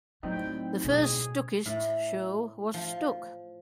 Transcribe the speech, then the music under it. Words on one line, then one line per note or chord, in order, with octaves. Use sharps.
The first Stuckist show was Stuck!
A2 F#3 G3 A3 C4 D#4 G5
B2 F3 G#4
A2
F3